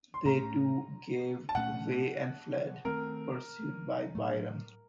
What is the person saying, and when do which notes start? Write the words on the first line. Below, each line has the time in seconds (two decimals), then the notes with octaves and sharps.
They too gave way and fled, pursued by Byron.
0.14 C6
0.25 A2 A3 C#4 A#5
1.49 A5
1.55 A#2 A3 C#4 F#5
2.85 D#3 A3 C4 A#4
4.15 A2 F#3 A3